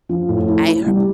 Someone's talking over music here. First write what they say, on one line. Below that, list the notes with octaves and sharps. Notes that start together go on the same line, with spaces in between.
I her
F3
A2
E4
E4
G3